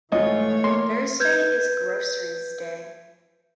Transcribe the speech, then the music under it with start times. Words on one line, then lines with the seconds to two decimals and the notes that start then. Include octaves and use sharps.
Thursday is groceries day.
0.12 G#2 E3 A3 F4 C#5 D#5
0.64 A#3 C6
1.20 B4 G6 G#6